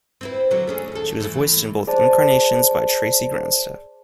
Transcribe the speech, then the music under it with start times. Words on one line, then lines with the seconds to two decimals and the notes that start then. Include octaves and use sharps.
She was voiced in both incarnations by Tracy Grandstaff.
0.21 C4 E4 B4
0.51 D3 F#3
0.67 A3 C#4 G#4
0.92 D#2 A4
1.20 E3 A3 E4
1.87 G#4 C5 D5 A5